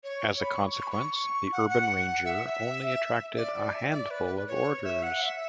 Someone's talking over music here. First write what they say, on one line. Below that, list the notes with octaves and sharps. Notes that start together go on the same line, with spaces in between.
As a consequence the Urbanranger only attracted a handful of orders.
C#5
B5
C#6
C#6
B5
C#6
C#6
F#5
F#5
E5
D5
E5
D5
B4
C#5
E5
F#5
E5